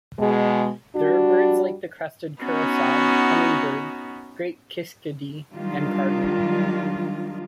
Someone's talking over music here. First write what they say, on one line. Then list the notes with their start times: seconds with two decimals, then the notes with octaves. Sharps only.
There are birds like the crested curassow, hummingbird, great kiskadee and cardinal.
0.18 B2 G#3
0.95 G3 D4 F#4
2.42 B3 C#4 D#4 F#4
5.54 D#3 F#3 G3 D4 F4